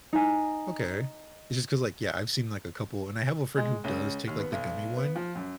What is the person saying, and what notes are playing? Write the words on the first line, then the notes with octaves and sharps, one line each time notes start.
Okay, it's just 'cause, like, yeah, I've seen, like, a couple, and I have a friend who does take, like, the gummy one,
D#4 G#5
G#3
C#2
D#2
B3
B1
B3
F3
F#2